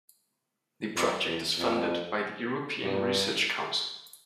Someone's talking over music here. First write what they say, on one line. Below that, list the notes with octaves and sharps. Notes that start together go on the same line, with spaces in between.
The project is funded by the European Research Council.
F2
E2
F2
G2